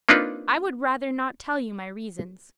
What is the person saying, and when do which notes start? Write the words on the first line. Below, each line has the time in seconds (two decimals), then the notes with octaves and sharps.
"I would rather not tell you my reasons."
0.09 A#3 C4 D4 D#4 F4 B4